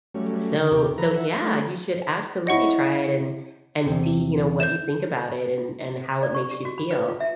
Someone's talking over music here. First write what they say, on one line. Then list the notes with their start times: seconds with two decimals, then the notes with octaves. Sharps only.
so so yeah, you should absolutely try it and and see, you know, what you think about it and and how it makes you feel,
0.15 F#3 G3 A3 C#4
0.57 D3
0.71 D#2 C3 G4
0.98 F3 A4 B4 A#5
1.16 E5 F#5
1.41 G3 A3
2.47 E4 C#5 D#5 F#5 C#6
3.86 E2 C3
4.60 G6 E7
6.23 D5
6.35 C#6
6.51 G4
6.65 F#4
6.78 B5
6.91 B4
7.09 F4
7.20 E5